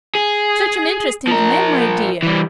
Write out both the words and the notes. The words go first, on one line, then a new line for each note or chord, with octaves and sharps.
Such an interesting man, my dear.
G#4
F3 A#4
E3 G3